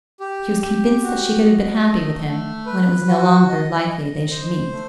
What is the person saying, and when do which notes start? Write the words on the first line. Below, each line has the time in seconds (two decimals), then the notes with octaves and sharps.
She was convinced that she could have been happy with him, when it was no longer likely they should meet.
0.20 G4
0.61 G4
1.03 F#4
1.44 D#5
1.84 A3
2.26 A3
2.66 B4
3.08 F#4
3.49 D#5
3.89 D#5
4.31 C5
4.71 A3